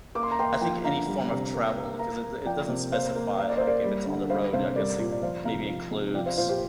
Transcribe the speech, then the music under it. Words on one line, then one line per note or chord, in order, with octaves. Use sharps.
I think any form of travel, 'cause it d it doesn't specify like if it's on the road, I guess it maybe includes,
A#3 D6
C6
A#5
A#3 G5 C6
F3 G5 C6
D3 F5 A#5
G3
C3
A#3
A#3
A#3 F5 A#5
A#3
F3 D5 G5
C3
A#3 C5 F5
A#3
A#3 F5
D5
A#3 C5
A#4 D5
G3
D3
G3 C5 F5
C3 C5 F5
G3 A#4 D5
A#2
D5
F3 C5 F5
C3 F5 A#5
F3
C3
F3 D5 G5
C5 F5
A#2 C5 F5
G4 C5